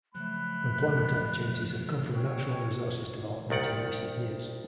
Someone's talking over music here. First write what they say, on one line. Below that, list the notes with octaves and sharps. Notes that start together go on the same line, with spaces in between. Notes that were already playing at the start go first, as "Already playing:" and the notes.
Employment opportunities have come from natural resources development in recent years.
C#3 F3 F#3 A3 B5 F#6
C#3 C#5 G5
C2 D#3 D5 F#5